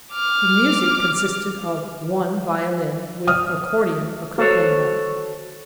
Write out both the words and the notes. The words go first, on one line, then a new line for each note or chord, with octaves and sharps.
The music consisted of one violin with accordion accompaniment.
D6 F6
D#6 F6
F#4 A4 C5 C#5